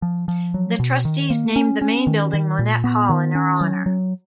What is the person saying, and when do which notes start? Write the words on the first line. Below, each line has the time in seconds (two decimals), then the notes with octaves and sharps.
The trustees named the main building Monnett Hall in her honor.
0.02 F3
0.28 F3
0.54 F#3
0.80 B2
1.05 D#3
1.30 A#3
1.56 C#4
1.81 C#4
2.07 D#3
2.33 D#3
2.59 A#2
2.84 B3
3.09 D#3
3.35 C#4
3.61 F#3
3.86 F#3